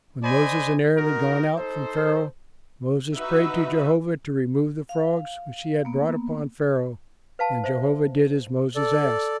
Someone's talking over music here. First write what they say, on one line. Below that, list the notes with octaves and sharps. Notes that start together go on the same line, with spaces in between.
When Moses and Aaron had gone out from Pharaoh, Moses prayed to Jehovah to remove the frogs which he had brought upon Pharaoh; and Jehovah did as Moses asked.
C5 D5 D#5 G#5 B5
D#4 F#4 A#4
D#4 A4 C5
D#4 F#4 B4 E5
F5
A#3 B3
B4 F5 A5
C5 E5
A4 D5